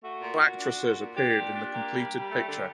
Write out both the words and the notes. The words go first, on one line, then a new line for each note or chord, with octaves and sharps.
No actresses appeared in the completed picture.
A3 F#4
A#2
A#2
D4
A#2
A#2
D4 G4
A#2
D4
A#3 G4
G3
G3
A3
D3